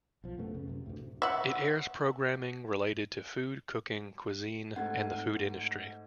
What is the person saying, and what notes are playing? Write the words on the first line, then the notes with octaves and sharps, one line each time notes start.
It airs programming related to food, cooking, cuisine, and the food industry.
B1 F3
F#2 C3 A3 B3
C#3
F#2 C3
D2 A2
E5 F#5
G#2 A3 F#5 G#6